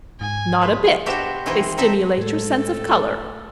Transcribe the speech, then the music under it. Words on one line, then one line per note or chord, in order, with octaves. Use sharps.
"Not a bit: they stimulate your sense of colour."
G#2 G#5
B4 C#5 B5 C6
B2 D4 F#4 G4 C5 E5
A#2 D#3 E3 C4 G#4 D#5
C3 C4 D#4 A4 E5
A2 G#3 A3 A4